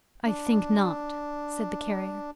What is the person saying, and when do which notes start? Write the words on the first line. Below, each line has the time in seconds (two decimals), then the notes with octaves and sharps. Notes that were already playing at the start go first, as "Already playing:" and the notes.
"I think not," said the Carrier.
0.26 D4